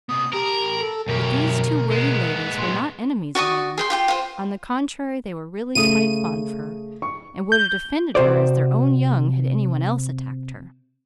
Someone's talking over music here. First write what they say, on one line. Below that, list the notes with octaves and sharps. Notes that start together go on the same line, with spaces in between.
Yet these two worthy ladies were not enemies of Anne; on the contrary, they were really quite fond of her, and would have defended her as their own young had anyone else attacked her.
C3 B3 D#6
G4 A#4 A#5 B5
A4
F#2 B2 D3 G4 A#4
G#3 B3
A#2 G#4 C6
F#4 D5 C#6 D#6
G#4 G5 C6
F4 G4 G5
F4 C5
C#3 A3 D#6 D#7
C#6
G6
C3 F#4 C5 D5